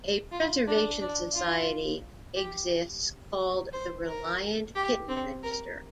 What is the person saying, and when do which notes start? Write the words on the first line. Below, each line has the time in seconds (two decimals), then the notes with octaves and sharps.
A "Preservation Society" exists called the Reliant Kitten Register.
0.32 F4
0.67 D4
1.00 D4
1.34 F4
2.36 G4
3.73 C5
4.08 A#4
4.75 G4
5.09 C4
5.43 A#4